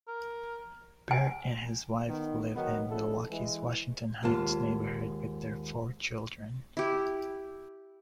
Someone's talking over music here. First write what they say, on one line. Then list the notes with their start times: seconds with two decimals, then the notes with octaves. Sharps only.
Barrett and his wife live in Milwaukee's Washington Heights neighborhood with their four children.
0.08 A#4
1.11 G#5
2.08 D#3 B3
2.55 D#3 F#3 G#3 B3
2.89 A#1 F2 D4 E4 A4
3.30 E3 G#3
4.23 D#2 G#2 F4 A5
6.77 E4 G4